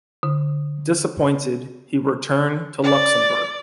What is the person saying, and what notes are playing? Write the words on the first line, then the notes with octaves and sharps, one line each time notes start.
Disappointed, he returned to Luxembourg.
D3
D5